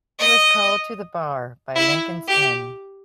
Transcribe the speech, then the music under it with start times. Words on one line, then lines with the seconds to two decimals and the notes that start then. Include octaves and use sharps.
He was called to the Bar by "Lincoln's Inn".
0.19 D#5
1.76 E4
2.28 G4